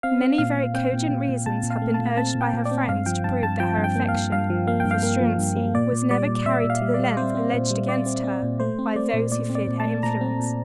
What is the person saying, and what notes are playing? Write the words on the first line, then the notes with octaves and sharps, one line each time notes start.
Many very cogent reasons have been urged by her friends to prove that her affection for Struensee was never carried to the length alleged against her by those who feared her influence.
C4 F5
C4
A#2 F5
A#2
C4 G5
A#2
A#2
A#2
A#2 A5
A#2
F5
A3
A5
A#2
C4 A5
A#2
G5
A#2
D5
C4
G2 F5
F3 G5
G2 A5
G2 A5
F3 G5
G2
G5
A#3
F5
G2
G2 F5
F3
A#3 F5
G2 G5
F5
A#3
F3
G2
A#3
A#2 D5
A#2
G3 D5
A#2
A#2 E5
A#2
F5
G3
D5
G3
C4 C5
C4
A#2
G3
C4 D5
C4
C4
A#2
A3 C5
C4
A3 D5
A#2
A#2 D5
C4
D5
A#2
A5
A3
A#2 A#5
C4
A#2